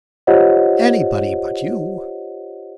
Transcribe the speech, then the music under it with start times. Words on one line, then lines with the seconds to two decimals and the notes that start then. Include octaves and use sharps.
Anybody but you.
0.27 F4 G4 C5 C#5 D#5 F#5